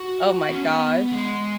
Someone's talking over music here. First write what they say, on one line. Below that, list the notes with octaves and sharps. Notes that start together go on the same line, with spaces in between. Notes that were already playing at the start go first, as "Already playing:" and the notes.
oh my gosh.
Already playing: F#4
F#4
B3
C#4
B3
G#3